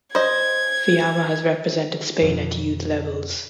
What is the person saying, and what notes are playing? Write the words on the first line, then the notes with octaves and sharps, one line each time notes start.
Fiamma has represented Spain at youth levels.
C5 D#5 G#6
F2 B2